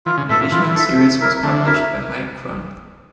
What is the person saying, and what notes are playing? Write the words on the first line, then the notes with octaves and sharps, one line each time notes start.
An additional series was published by Mike Kron.
E3 F4
C#3
A2 A4 E5
A#2
E3 F4
A4 E5
A3
E4 A#4 E5
D3 A3
E4 A#4 E5